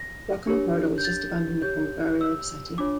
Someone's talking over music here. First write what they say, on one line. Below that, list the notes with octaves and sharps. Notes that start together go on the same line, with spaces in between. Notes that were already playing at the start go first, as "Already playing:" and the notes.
Work on the corridor was just abandoned upon the burial of Seti.
Already playing: A#6
D4 G4 A#4 C#5
G6
A6
G4 C#5 G6
E6
D4 F4 C#5 D6